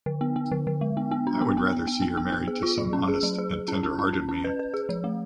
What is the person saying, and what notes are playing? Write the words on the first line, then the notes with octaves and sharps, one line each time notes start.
I would rather see her married to some honest and tender-hearted man.
D3
B3
B3
D3
D3
G#3
B3
B3
D4
B3
B3
B3
B3
B3
B3
B3
G#4
F4
F#3
C#4
G#4
F#3
G#4
G#4
C#4
C#4
C#4
C#4
C#4
B4
B4
G#4
F3
A3